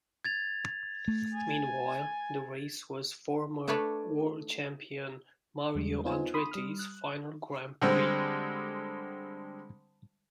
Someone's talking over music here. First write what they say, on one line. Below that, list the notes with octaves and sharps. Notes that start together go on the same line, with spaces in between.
Meanwhile, the race was former world champion Mario Andretti's final grand prix.
G#6 A6 F7
A3
G#5
A3 D4 A4 B4 C#5 D5
E2 G3 G#3
B3 C4 D#4 F4 C5 G#5
B5 C6 D#6
G3 D#6 F6
F#6
D3 G3 G#3 C4